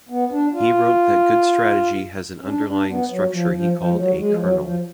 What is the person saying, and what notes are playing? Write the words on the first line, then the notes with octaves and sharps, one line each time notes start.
He wrote that good strategy has an underlying structure he called a "kernel".
B3
D4
F4
C#4
D4
D4
B3
F#3
F3
F3
F3
G#3
F#3
G#3
F3
F#3
F3